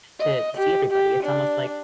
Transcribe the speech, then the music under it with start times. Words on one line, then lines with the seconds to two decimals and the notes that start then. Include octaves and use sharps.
to see everybody, it's almost like
0.20 D#5
0.58 G4
0.92 G4
1.24 D4